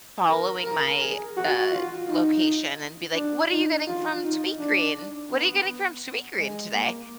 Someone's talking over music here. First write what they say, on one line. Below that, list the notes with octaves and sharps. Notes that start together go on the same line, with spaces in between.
following my, uh, location and be like, "What are you getting from Sweetgreen? What are you getting from Sweetgreen today?"
A#4
A#4
G#4
F#4
F4
D#4
D4
D#4
F4
D#4
D4
B3
G#3
A#3